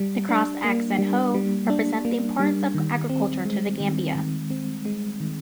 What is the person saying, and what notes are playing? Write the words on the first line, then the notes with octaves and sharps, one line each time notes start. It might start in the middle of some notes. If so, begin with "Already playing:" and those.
The crossed axe and hoe represent the importance of agriculture to The Gambia.
Already playing: G3
D4
A#3
G3
G3
D4
A#3
G3
D#3
C4
G#3
D#3
D#3
C4
G#3
D#3